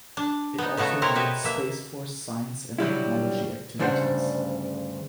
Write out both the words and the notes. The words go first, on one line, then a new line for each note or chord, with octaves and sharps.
It also runs Space Force science and technology activities.
D4
B3 D#4
C#3 A3 B3 F#4 A4
C4 E4 A#4 C#5
E4 F#4 G4 B4 D#5 E5
B2 A#3 E5
D3 F#3 G3 E4
D2 G2 C#3 D4 C5 F#5